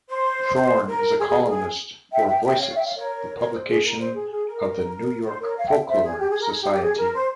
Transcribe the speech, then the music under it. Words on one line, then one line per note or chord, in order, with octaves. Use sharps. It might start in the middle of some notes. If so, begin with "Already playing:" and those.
Thorn is a columnist for "Voices", the publication of the New York Folklore Society.
C5
A#4
G#4
G#4
G#4
A#4
G#4
E5 G5
E5 G5
E5 G5
C#5 F5
E5 G5
C#5 F5
A#4 C#5
A#4 C#5
C5
G#4
A#4
C5
G#4
G#4
A#4
C5
A#4 C#5
C#5 F5
E5 G5
C5 E5
G#4
G4
G#4
A#4
G#4
G4
G4
G#4
A#4
C5